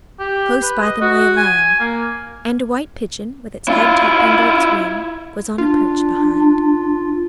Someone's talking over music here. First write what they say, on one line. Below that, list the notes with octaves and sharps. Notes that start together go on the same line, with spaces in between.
Close by them lay a lamb, and a white pigeon, with its head tucked under its wing, was on a perch behind.
G4
B4
D#5
F#4
G#5
A#3
E4 F4
D4 F4